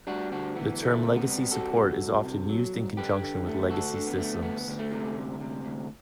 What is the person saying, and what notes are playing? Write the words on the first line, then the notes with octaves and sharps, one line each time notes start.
The term "legacy support" is often used in conjunction with legacy systems.
G3 D4 F#4
D2 D4 F#4
E3 B3
D2 A3
C3
B3
G3
C3 F#4 A4
C2
C2
C3
F#3
C2
D3 G4 B4
D3
A3
D2 F#4 A4
D3
B3
A3
D2 B3
D2
A3
C3
D2
C3
D2